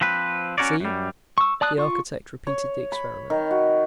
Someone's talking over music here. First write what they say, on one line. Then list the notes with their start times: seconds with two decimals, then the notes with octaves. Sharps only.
"See?" The architect repeated the experiment.
0.01 F3 C4 B4
0.58 C#4 D4 F#4 A#4 C#5 D5
0.80 F#2 G3
1.38 C#6 E6
1.61 D5 A5 D#6 F#6
1.78 F4 C#6
2.47 C#5
2.92 B5
3.30 D#3
3.51 F#4